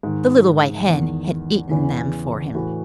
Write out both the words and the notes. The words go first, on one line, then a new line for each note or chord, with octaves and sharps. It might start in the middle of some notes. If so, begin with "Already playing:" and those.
The little white hen had eaten them for him.
G#2 D#3
E2 D#3
E2 C#3 E3
A2 E3 F#4